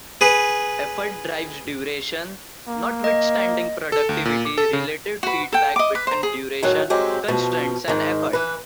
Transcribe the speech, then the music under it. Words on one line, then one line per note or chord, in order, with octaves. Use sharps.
Effort drives duration, notwithstanding productivity-related feedback between duration constraints and effort.
G#4 B4
A#3
D#5
A4
D2
A#2
D6
A4
C#3
F#4 B4
A4 G5
D#5 D6
B4
C5 A#5
G#4
A2 D#3 F#3 G#3
F#3 G#3 C4 G4
B2 F3
G#2 D#3
E3 B4